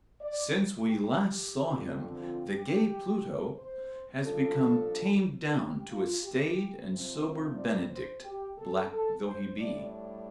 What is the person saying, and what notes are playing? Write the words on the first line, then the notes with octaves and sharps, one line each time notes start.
Since we last saw him, the gay Pluto has become tamed down to a staid and sober Benedict--black though he be.
D5
G4
G4
F2 D3 F3 C4
F4
G4
C5
G2 F3 D4 A4
G4
F4
G4
C3 F3 C4 C5
D5
C5
G4
A4
A4
C5
A2 G3 D4 D5